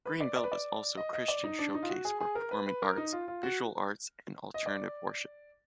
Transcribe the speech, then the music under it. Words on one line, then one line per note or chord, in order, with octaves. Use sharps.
Greenbelt is also a Christian showcase for performing arts, visual arts and alternative worship.
B4
D5
D5
B4
D5
D#5
D#5
D5
D#4
D4
D#4
F4
F#4
G#4
G#4
A#4
B4
B4
A#4
D#4
F4
F4
F#4
D#5
D5